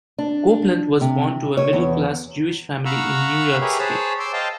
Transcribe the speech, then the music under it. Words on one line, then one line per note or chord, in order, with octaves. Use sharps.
Copeland was born to a middle-class Jewish family in New York City.
D4
C3
C#5
E2
F5 F#5 A#5 B5 C#6 E6
G4 G#4 A#4 B4 C#5 E5
G#4 C5 C#5 A5 B5
C6 D6 E6
C5 D#5 F5 G5 A5